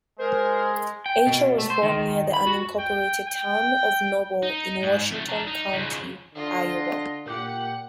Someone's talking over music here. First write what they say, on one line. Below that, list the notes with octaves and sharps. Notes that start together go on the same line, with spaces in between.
Eicher was born near the unincorporated town of Noble in Washington County, Iowa.
G#3 A#4 C5
G5
B2
A3
C5
D#3
B5
F#4
G5
G5
D#4
G#2
F2 A3
D4 A#4
D#4
F2 C#3
D3 F4 D#5
A#2 G4 F#5 C#7